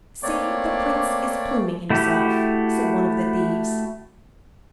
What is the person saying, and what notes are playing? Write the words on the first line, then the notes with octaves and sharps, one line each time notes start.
"See, the prince is pluming himself," said one of the thieves.
A3 A#3 C4 C#5 D5 D6
A3 E4 F#4 G4